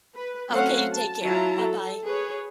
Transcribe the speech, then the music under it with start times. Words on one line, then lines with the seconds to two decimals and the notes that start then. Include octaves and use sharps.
Okay, you take care, buh-bye.
0.15 B4
0.50 F#3 A3 C4 C#4 F5 F#5
0.93 A5
1.23 F#3 E4 F4 A5 A#5
1.59 A4
2.04 G#4 B4 C#5